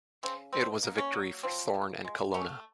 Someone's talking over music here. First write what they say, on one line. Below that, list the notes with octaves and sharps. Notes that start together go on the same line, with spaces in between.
It was a victory for Thorn and Colonna.
C#3 C4
B2 C4
A#3
C#4
F#3
F3 C4
F3
G#3
A3 C#4